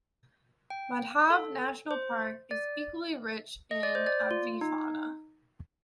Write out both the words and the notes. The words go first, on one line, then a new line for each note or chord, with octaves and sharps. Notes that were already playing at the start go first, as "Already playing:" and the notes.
Madhav National Park is equally rich in avifauna.
G5
A4
C5
D5
D#5
D5
C5
D5
F4
D#4